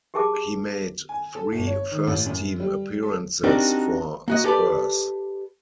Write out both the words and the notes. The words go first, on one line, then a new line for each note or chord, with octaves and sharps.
He made three first team appearances for Spurs.
G4 G#4 A#4 A5 D6
G#5
A4
G1
C#5
D#3
A1
F#2
G3
A4
C4 D4 D#4 F#4 G4 A#4
A#3 F#4 D#5
G4 A4 B4 D5